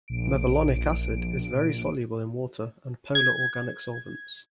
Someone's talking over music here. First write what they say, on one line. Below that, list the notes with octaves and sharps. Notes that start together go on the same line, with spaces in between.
Mevalonic acid is very soluble in water and polar organic solvents.
A#1 D7
G#6